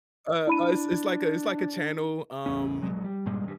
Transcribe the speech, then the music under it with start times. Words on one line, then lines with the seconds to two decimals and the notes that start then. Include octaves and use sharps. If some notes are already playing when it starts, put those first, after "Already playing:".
Uh, uh, it's it's like a it's like a channel, um
0.47 D4 E4 B5 D#7
2.46 A1 E2 C#4
2.82 A#1 F#3 G#3
3.04 G3
3.26 G2 A#2 G3 G#3
3.44 G#1 G2